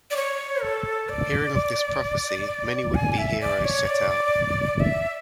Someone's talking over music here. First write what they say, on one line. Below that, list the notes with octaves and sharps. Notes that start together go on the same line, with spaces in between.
Hearing of this prophecy, many would-be heroes set out.
D5
C#5
A4
D5
G#5
E5
D5
C#5
D5
E5